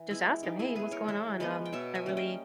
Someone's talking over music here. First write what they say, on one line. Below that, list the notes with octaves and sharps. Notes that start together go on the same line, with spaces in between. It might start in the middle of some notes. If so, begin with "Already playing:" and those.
just ask him, "Hey, what's going on? Um, I really
Already playing: E3
G#3 B3 E4
E3 D#4 G4
E4 G#4
G#3 B3 G#4 B4
A#4 C#5
E3 C#5 E5
G#3 B3 B4 D#5
G5
B2 C#5 E5
E5 G#5
G3 A#3 C#4
D#5 G5